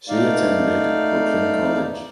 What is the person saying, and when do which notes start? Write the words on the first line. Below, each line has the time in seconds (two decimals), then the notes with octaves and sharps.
She attended Brooklyn College.
0.09 A3 D#4 D5 F5